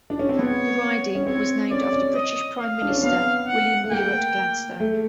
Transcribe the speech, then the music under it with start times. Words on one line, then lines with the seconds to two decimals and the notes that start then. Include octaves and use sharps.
The riding was named after British Prime Minister William Ewart Gladstone.
0.10 D4
0.19 C#4
0.29 C4
0.38 B3 C#5
1.15 C#4
1.26 C4 C#5
1.71 C#4 D5
1.93 C#4
2.15 D#5
2.59 F5
2.82 D4
2.89 C#4
2.96 C4
3.03 B3 F5
3.48 F#5
3.84 A3
3.91 A#3 G5
4.80 A3